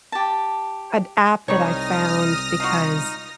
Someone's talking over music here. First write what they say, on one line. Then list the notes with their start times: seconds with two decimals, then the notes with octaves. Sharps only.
an app that I found because
0.12 G4 A5
1.48 C2 G3 D#4 C#5 D#6 F6 A#6
2.60 D#4 F4 F#4